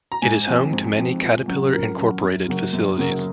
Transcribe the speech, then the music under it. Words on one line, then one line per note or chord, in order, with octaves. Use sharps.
It is home to many Caterpillar Incorporated facilities.
A#5
G#2 G#5
F3 C4
G#2
F3 C4
A#2
F#3 C#4
A#2 A#4
F#3 C#4
F#2
C#3 F#3 A#3
F#2
C#3 F#3 A#3